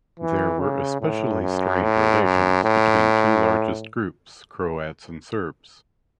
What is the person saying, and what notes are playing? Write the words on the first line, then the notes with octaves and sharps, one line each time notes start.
There were especially strained relations between two largest groups, Croats and Serbs.
E3
C#3
A2
F#2
A2
F#2
A2